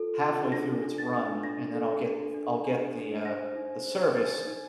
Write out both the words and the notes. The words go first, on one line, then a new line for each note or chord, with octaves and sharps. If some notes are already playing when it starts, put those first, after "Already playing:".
halfway through its run, and then I'll get I'll get the uh the service
Already playing: F4 A4
D4
D4 A#6
D4
A6
D4
D4 A#6
A4
D4
D4
D4
D4
C5 A#6
D#4
C5
D#4 A6
D#4